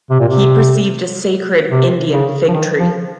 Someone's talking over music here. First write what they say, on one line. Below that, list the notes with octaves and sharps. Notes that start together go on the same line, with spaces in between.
He perceived a sacred Indian fig-tree.
C3
A#2
C3
C3
C#3
F3
D#3
F3